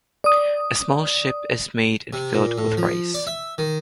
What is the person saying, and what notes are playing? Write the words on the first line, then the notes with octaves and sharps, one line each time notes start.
A small ship is made and filled with rice.
D5 D#6
C3
A#2
A2
F3
D5
E5
D#3